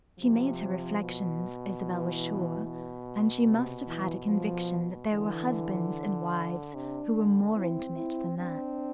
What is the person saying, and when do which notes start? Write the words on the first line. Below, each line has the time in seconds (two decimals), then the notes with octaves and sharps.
She made her reflexions, Isabel was sure; and she must have had a conviction that there were husbands and wives who were more intimate than that.
0.19 C3 F3
1.01 B2
1.83 E3
2.65 B2
3.46 C3
3.87 E3
4.28 F3
5.10 D3 E3
6.74 C3 D4
7.15 D3
7.55 C4 E4
7.97 E4
8.38 C4 D4